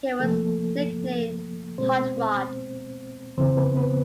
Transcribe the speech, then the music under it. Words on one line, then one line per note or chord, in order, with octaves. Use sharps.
He was nicknamed Hot Rod.
C3 F3 A3 A#3 A4
B2 G#3 B3 C4 C5
F2 C#3 E3 C4 C5
B3 B4
B3 B4